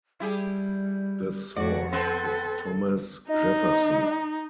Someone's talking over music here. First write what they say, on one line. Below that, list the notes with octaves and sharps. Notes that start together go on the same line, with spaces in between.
The source is Thomas Jefferson.
G3 E4 G4 G#4
F2 F#4 D5 F#5
B3 C4 A4 B4
D#4 D#5